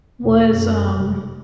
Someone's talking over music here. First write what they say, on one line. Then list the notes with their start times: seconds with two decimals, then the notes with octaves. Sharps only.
was, um
0.21 E2 B2
0.51 F#2
0.98 F1